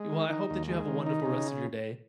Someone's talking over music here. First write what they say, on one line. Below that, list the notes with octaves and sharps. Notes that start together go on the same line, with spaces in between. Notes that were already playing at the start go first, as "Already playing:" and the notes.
Y well, I hope that you have a wonderful rest of your day.
Already playing: G#3
D#3
D#4
D#2
G#3
D#3
D#4
C#3